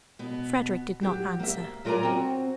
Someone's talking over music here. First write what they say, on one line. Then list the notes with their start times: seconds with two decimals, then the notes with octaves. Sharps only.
Frederick did not answer.
0.19 B2 B3
1.01 F#3 G4
1.39 A#3 E5
1.85 F#3 F4 A#4 D5 G#5 A#5
2.03 C4 F#4